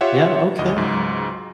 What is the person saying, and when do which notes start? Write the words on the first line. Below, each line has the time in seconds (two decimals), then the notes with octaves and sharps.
Yeah, okay,
0.01 F4 G4 C#5 E5 F#5
0.58 G#1 D2 D#5
0.76 C#2 G#2 F#3